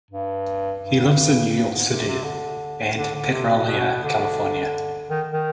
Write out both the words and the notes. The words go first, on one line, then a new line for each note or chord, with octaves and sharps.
He lives in New York City and Petrolia, California.
G2
G2
G2
G#2
C3
C3
D3
D3
D3
C3
B2
B2
D3
D#3
D#3